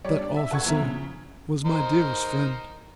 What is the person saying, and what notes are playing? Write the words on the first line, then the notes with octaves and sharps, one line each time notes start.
That officer was my dearest friend.
G3 C#5 D5
D4 D5
E5
A4 F#5 C#6 G#6
E2 F3 E5 A#5
C#3
D#4 A#4 C5